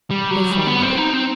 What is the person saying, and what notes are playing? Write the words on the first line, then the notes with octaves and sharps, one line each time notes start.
They followed.
G3
F#3
G3
B3
C4
D#4
C4